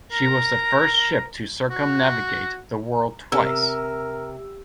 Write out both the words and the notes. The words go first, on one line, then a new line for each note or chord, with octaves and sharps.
She was the first ship to circumnavigate the world twice.
A#4
F#4
C3 A#4 E6